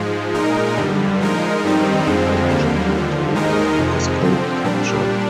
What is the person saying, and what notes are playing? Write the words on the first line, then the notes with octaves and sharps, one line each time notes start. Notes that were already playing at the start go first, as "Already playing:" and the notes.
One man, Daniel J. Toler, escaped capture.
Already playing: G#2 F3 G#3
A#2 G#3 D#4 A#4
G2 D3 G3
F3 G#3 D#4 A#4
G2 D#3 G3 C4 D#4
F2 D3 F3 G#3 C4
D#2 D3 G3 A#3
D#2 D3 F3
D#2 D#3 G#3 D#4 A#4
F2 C3 F3 G#3
D3 F3 C4
A#2 G3 D4